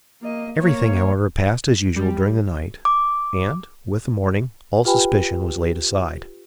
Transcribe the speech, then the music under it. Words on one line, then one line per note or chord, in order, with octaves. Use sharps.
Everything however passed as usual during the night; and, with the morning, all suspicion was laid aside.
A#3 D#5
A#3 C#5
G3
D6
F4 G4 B4 G5 G#5 B5